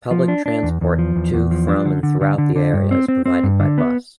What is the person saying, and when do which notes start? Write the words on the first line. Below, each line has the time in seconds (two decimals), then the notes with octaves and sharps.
Public transport to, from and throughout the area is provided by bus.
0.11 F3
0.28 D4
0.46 D4
0.63 E2
0.81 E2
0.99 F3
1.16 E2
1.34 E2
1.51 F3
1.68 D4
1.85 D3
2.03 D3
2.21 D3
2.38 D3
2.56 D3
2.73 G2
2.91 C4
3.08 C4
3.26 C4
3.43 G2
3.60 D3
3.78 B3